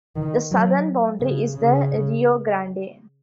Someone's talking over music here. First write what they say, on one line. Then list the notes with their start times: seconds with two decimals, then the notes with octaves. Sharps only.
The southern boundary is the Rio Grande.
0.16 D#3
0.51 F#3
1.20 C#3
1.55 C#3